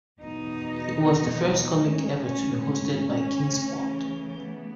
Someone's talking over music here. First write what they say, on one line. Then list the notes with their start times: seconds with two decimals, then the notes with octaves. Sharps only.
It was the first comic ever to be hosted by Keenspot.
0.20 E2 B2 F#3 B3 D#4
1.82 G#2 D#3 A3 C#4
2.23 C#4
2.65 C#4
3.46 C#3 E3 A3
4.27 B3